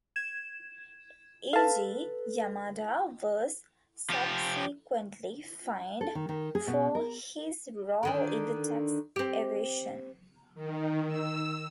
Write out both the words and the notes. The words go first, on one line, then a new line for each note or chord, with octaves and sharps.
Eiji Yamada was subsequently fined for his role in the tax evasion.
G#6 E7
A4 B4 F5 A5
F3 G4
A4
D#3
D#3
G#4
B2
A#4
D3 D#3 D4
C4 G4
D#3
E6